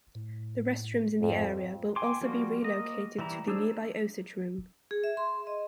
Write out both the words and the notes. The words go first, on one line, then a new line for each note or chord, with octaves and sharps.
The restrooms in the area will also be relocated to the nearby Osage room.
A2
F2 G#2
G5 G#5 C6 D6
F3 G3 A#3 F#4
A#3 D#5
E3 G3 E4 A#5
D4 G#4 C5 C#5 E6
G#4
E5
C6
D#5